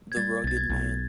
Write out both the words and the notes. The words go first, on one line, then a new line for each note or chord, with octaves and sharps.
The Rugged Man.
G#6
G3 A6
B1 A6
G#6
B1